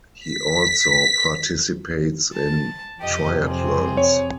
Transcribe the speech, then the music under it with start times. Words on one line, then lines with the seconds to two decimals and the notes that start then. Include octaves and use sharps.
He also participates in triathlons.
0.19 B6
2.33 A5
3.00 F2 C3 G4 D#5
3.43 C4 G#4
3.97 C#5